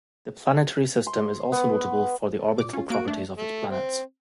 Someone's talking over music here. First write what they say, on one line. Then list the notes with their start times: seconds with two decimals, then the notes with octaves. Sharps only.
The planetary system is also notable for the orbital properties of its planets.
1.07 C6
1.52 B3
2.37 A4
2.58 A#2 D6
2.73 C#4 F4
2.90 A#3 F#4 D7
3.08 A3 D4
3.38 A3
3.71 C4